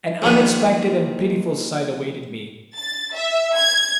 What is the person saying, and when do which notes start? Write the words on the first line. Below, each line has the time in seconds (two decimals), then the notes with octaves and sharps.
An unexpected and pitiful sight awaited me.
0.22 A#1 A#2 D#3
2.75 A6
3.15 E5
3.55 G#6